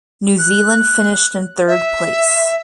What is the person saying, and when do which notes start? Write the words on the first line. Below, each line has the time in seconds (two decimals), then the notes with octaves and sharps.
New Zealand finished in third place.
0.39 F#6
1.68 E5